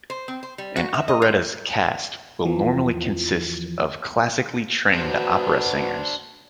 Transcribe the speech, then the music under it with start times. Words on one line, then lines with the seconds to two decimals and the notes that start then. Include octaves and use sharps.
An operetta's cast will normally consist of classically trained opera singers.
0.10 C5
0.28 C4
0.43 C5
0.58 G3
0.76 F#4
0.94 E5
1.08 D#5
1.22 F4
2.45 E2 E3 F3
4.94 D4 F#4 B4 C5